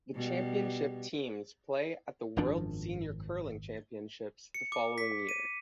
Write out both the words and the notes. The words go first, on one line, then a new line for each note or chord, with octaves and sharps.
The championship teams play at the World Senior Curling Championships the following year.
B2 G3
G#1 F#2 F3 D4
C#7
D6
B6
D#7